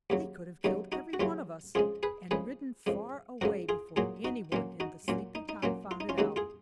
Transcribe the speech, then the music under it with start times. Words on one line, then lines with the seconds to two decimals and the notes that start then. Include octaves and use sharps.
They could have killed every one of us, and ridden far away before anyone in the sleepy town found it out.
0.10 D#2 C#3 F#3
0.64 D#2 C#3 F#3 D#4
0.92 D#4 F#4
1.13 F#4
1.20 D#2 C#3 F#3 C#4 F4
1.75 F2 C#3 G#3 F4 G#4
2.03 G#4 B4
2.31 F2 C#3 G#3 G#4 B4
2.86 F2 C#3 G#3
3.41 F2 C#3 G#3 F#4 A#4
3.69 F4 G#4
3.96 A#2 F#3 A#3 F4 G#4
4.24 D#4 F#4
4.52 A#2 F#3 A#3 C#4 F4
4.80 D#4 F#4
5.08 A#2 F#3 A#3 C#4 F4
5.35 D#4
5.49 D#4
5.63 A#2 F#3 A#3 C#4 F4
5.91 F4
6.00 D#4
6.09 C#4 F4
6.18 D#2 C#3 G#3 D#4 F#4
6.36 F4 G#4